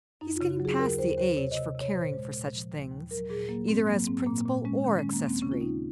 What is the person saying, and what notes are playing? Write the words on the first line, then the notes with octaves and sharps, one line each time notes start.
He's getting past the age for caring for such things, either as principal or accessory.
F#2 D#4
F4
C#3
F#4
F#3
G#4
D#2 A#4
D#2 C5
D#2 C5
C3 C#5
D#5
C3
C3
C#5
A#2 C5
G#3
A#2
F3
D#2
D#2
F#3 A#4
A#2 G#4
F#3 A#3
G#2 C4
F#3 A#3
G#2 C4
A#2 A#3
A#2
G#3 C#4
D#3
C#4
G#3
A#3
D#2 C4
C#3 C#4
F4
D#2 D#4